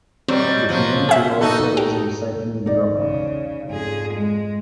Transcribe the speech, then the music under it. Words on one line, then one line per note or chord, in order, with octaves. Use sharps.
The community also has a recycling drop off.
B2 F#3 G3 C4
F3 F#3
G#4 E5
D#4 F#4 A4
G4
B1 E2 D#4 D5
C#3
F2 G#2 G#4
G#3